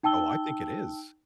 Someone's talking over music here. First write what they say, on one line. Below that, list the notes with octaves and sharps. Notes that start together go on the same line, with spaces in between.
Oh, I think it is.
D#4 G5 A5 E6 G7